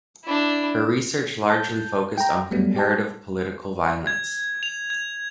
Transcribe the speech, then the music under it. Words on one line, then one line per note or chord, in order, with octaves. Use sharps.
Her research largely focused on comparative political violence.
D4 E4
A5 G6
G5 A#5
F#3 G3 A3 B3
G4 A5
G#6
F7
G#6